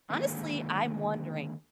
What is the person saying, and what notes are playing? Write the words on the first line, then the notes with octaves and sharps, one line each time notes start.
honestly, I'm wondering
D3 D#3 G#3 A#3 A4